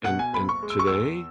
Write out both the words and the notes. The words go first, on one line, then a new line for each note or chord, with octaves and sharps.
and and today,
B2 F#5
G#5
F#1 B5
C#6
G#3
E6
C#6
E2 E6